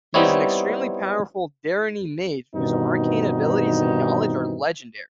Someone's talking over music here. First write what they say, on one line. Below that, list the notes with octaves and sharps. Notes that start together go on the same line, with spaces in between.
He is an extremely powerful Deryni mage whose arcane abilities and knowledge are legendary.
G3 B3 C4 D#4 E4 C#5
G2 B2 D#3 E3 C4 D#4